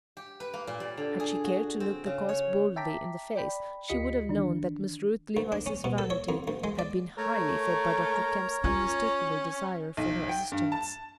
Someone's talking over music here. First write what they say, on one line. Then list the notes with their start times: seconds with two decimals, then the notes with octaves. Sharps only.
Had she cared to look the cause boldly in the face, she would have known that Miss Ruth Levice's vanity had been highly fed by Dr. Kemp's unmistakable desire for her assistance.
0.17 G4
0.40 B4
0.54 A#3
0.67 A#2
0.80 G3
0.97 D3
1.20 G#4
1.44 F#4
1.80 C4
2.06 C#3
2.29 C#5
2.76 E5 G5 A5 A#5 D6 B6
3.36 D5 G5 B5
3.88 D2 F4 G4 D#5 B6 C#7
4.29 D#3 E3 D4
5.37 D2
5.52 D4
5.66 C#4
5.84 B2
5.98 A4
6.10 C#5
6.29 F2
6.48 D2
6.64 G#3
6.79 D5
7.17 A3 A#4 C#5 A#5
8.64 C#4 F4
9.97 B1
10.29 G5
10.52 G2
10.72 A5